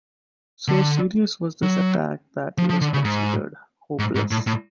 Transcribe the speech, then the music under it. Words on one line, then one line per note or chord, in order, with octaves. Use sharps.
So serious was this attack that he was considered hopeless.
D3
F#3
F3
F3
D3
C#3
G#2
G#2
G#2
A2
A2